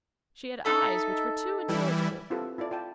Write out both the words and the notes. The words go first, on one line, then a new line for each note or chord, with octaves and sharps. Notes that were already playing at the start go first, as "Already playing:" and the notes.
She had eyes which were too intelligible.
D#4 A4 E5
E3 G3 E4
C4 E4 F4 G4 A4 B4
E4 F4 A4 D5
F4 D5 G5 A5